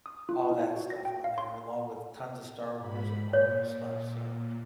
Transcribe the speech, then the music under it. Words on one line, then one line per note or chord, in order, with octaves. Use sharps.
all that stuff on there along with tons of Star Wars and Marvel stuff, so,
D#6
F4
E4
F#4
A#6
G5
F5
C6
G#2 B5
A#2 C#5